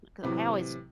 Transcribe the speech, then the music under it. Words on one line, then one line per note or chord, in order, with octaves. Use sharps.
because I always
A2 C3 E3 F#3